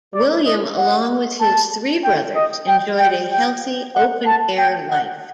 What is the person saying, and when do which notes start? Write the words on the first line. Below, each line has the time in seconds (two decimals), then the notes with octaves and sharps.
William along with his three brothers enjoyed a healthy open-air life.
0.14 D5
0.46 D#5
0.77 F#5
1.41 A5
2.04 G5
2.36 D#5
2.68 G5
2.99 G5
3.31 G5
3.95 F#5
4.26 A5
4.58 G5
4.90 F#5